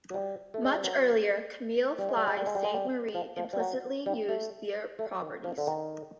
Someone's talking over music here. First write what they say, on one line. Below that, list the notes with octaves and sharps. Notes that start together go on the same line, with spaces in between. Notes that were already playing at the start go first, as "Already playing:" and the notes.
Much earlier, Camille Flye Sainte-Marie implicitly used their properties.
F#3
G3
A3
G#3
G3
F#3
G3
G#3
G3
G#3
G3
G#3
G3
G#3
G3
F3
F3
G3
F#3
G3
A3
A3
D#3
F3
D3
D#3